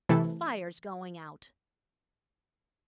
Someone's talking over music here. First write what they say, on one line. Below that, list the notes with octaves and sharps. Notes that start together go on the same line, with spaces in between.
The fire's going out!
C3 E3 A3 C4 E4 A4